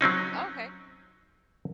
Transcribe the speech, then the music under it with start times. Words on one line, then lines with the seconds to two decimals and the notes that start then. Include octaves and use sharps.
Oh, okay.
0.01 F#3 C4 C#4 D#4